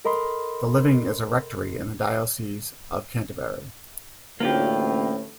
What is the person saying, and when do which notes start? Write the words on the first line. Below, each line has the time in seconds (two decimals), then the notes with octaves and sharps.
The living is a rectory in the diocese of Canterbury.
0.05 A4 A#4 D#5 B5 C6
4.40 A1 D2 A2 A#3 F4 G4